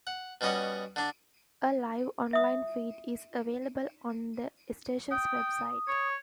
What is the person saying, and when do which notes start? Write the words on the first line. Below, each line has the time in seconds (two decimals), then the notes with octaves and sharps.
A live online feed is available on the station's website.
0.07 F#5
0.41 B2 G3 C#4 D#5 F#5
0.96 D3 D4
2.33 E5 D#6
5.11 G5 D#6
5.88 C#5